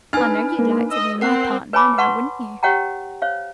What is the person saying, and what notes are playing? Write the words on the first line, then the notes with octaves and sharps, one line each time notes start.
I know you'd like to be my partner, now wouldn't you?
D4 D#4 B4 G#5 F6
A#3
D#5 E6
C4 A#4 F#5 F#6 C7
B4 C#5 G#5 A5 B5 D6
B4 F#5 A5 C6 C#6
G4 C#5 F#5 G5 A#5
C5 C#5 F5